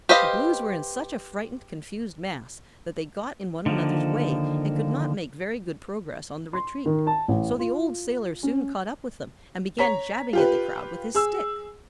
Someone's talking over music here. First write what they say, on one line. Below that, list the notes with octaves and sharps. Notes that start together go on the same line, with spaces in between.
The Blues were in such a frightened, confused mass that they got in one another's way and could not make very good progress on the retreat, so the old sailor soon caught up with them and began jabbing at the crowd with his stick.
G4 B4 C5 D#5 F5
D3 D#3 F3 A#3
C6
D#3
A5
A1
F4
C#4
C#5 A#5 B6
F4 G4 B4
G#4 E6